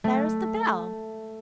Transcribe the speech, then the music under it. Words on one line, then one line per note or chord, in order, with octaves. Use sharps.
"There's the bell!"
A3